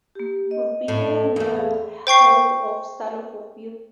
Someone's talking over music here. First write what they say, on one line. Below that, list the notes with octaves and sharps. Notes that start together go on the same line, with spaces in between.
Villeneuve held off Salo for fifth.
A#3 G4
D#5
A2
E2 A3
G#4 F5
C5 G5 C#6 C7